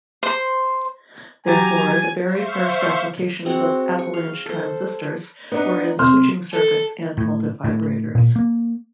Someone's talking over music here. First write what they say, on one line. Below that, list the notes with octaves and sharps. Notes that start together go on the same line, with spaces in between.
Therefore the very first applications of avalanche transistors were in switching circuits and multivibrators.
C5 C6
F#3 G4 G#5 A#5 A6
C5 E5 F5 C#6
G#3 C4 F#4
C#6
F5
A4 C5
B3 D4 D#4
C3 C5 C6 F6
A4
A2
A2
A#2
A#3